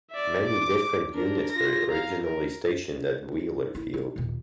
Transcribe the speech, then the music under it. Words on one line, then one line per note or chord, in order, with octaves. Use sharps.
Many different units were originally stationed at Wheeler Field.
D5 E5
D6
D4 A#4
F4 A#6
F5 A#5
A#4
E4
D4
D#2 A#2